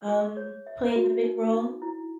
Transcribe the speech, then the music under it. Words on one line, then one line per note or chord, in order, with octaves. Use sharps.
um, played a big role
G#4
C#5
E5
F#4
D#4
D#4
E4